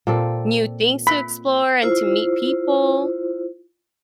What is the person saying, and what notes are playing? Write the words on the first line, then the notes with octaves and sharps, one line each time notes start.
new things to explore, and to meet people,
A#2 C4 A4
B5
E4 F4 C5